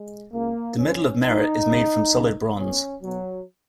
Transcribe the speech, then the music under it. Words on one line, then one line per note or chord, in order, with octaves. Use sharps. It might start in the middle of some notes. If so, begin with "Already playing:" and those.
The Medal of Merit is made from solid bronze.
Already playing: G#3
C#2 C#3 A#3
F2 C#3 C#4
B1 B2 D#4
C#2 C#3
C#2 C#3
B1 B2 C#4
B1 B2 F#3